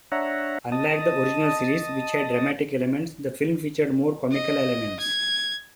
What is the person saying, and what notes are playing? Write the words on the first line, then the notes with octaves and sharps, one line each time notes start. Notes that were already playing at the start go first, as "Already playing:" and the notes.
Unlike the original series, which had dramatic elements, the film featured more comical elements.
D4 C#5 E5 F#5 A#5
D#5 A5 D#6
D#5
G#6